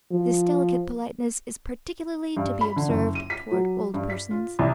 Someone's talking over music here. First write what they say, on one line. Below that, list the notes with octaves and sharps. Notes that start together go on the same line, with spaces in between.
This delicate politeness is particularly to be observed towards old persons.
F3
G2
B5
D3
F#1
D#7
B6
F#3
G2
B6
F4
C2